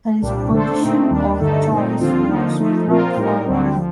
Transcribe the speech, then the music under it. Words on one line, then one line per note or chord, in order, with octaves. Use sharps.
His position of choice was prop forward.
C2 A#2 G3 D4
D3 A3 D4 A4 C5
A#2 A3 C4 D#4
D#2 D#3 G3 D4
G2 D3 A3 D#4 A4
A#2 A3 C4 D#4
D#2 D3 F3 C4 F4
D3 F3 A#3 D#4
F3 A3 D#4
A#2 F3 C4 F4 A#4
A2 G3 A#3 D#4 A#4
D2 D3 G3 C4
F3